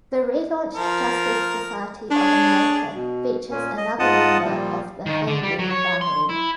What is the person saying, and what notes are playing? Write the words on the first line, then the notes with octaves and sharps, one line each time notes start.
The relaunched "Justice Society of America" features another member of the Heywood family.
F3 A#4
D4 G#4 C#5
B2
A#2 C#4
D#5
G#2 F4 D#5 F#5 A5 D#6
A#2 F3 G3
D#3
D3
G3
F#3
C#5
C6
E4